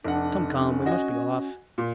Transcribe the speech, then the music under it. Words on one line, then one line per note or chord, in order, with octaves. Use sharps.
Come, come, we must be off.
F1 D4 F#5
C#4
F#4 D#5 G#5
A#2